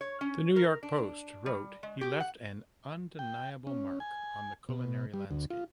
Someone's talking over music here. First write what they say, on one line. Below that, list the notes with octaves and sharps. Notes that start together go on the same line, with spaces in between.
The "New York Post" wrote he left an undeniable mark on the culinary landscape.
C#5
C#4
A#4
D4
G3
G#3
G4
F#5
G5
C#4
G#5
B2
G3
D2
F4